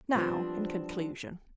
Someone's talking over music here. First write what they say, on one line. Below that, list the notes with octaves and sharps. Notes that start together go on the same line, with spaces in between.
Now in conclusion.
F3 G3 B3 C4 D4